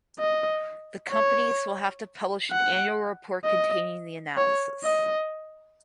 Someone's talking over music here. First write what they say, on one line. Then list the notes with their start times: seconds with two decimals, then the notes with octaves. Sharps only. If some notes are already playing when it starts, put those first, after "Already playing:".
The companies will have to publish an annual report containing the analyses.
0.19 D#5
1.12 C#5
2.51 F#5
3.44 D#5
4.37 C#5
4.84 D#5